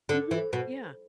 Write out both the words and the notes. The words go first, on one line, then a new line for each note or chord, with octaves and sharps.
Mhm. Yeah.
D3
E3
B2